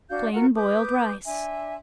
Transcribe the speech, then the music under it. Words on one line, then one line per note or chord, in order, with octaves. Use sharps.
Plain Boiled Rice.
D4 F#4 F5 G6
F4 F#4 A#4 F#5
B4 D6 D#6 G6
D4 E5 G#5 C6